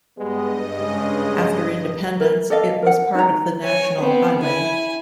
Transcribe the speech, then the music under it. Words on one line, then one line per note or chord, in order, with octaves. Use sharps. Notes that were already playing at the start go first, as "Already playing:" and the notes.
After independence, it was part of the national highway.
G2 G3 G#3 B3 D#5
G#2 C#3 G#3
A#4
A4 D5 D#5 F5
A#4 F#5
D#4 C#5 A#5
C#5 G#5
B3 C4
E4 G#5